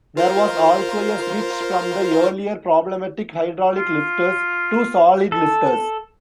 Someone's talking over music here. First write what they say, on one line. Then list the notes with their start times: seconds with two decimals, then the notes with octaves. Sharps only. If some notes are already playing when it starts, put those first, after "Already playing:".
There was also a switch from the earlier problematic hydraulic lifters to solid lifters.
0.17 F4 A#4 C5
3.76 F4
5.32 A4